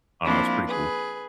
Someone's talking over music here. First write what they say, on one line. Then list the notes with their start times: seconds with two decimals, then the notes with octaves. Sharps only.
I don't know, it's pretty cool.
0.24 F3 A#3 C4 D4 E4 F4
0.67 G#4 B4